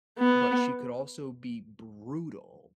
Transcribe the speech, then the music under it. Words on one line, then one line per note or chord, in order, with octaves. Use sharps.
but she could also be brutal,
B3